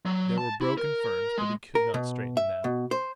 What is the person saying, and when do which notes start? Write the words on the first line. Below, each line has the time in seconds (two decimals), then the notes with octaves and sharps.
There were broken ferns, but he could not straighten them.
0.06 F#3
0.38 A5
0.61 E4
0.78 A#4
1.38 G#3
1.75 A#4
1.94 B2
2.37 E5
2.64 B2
2.91 C5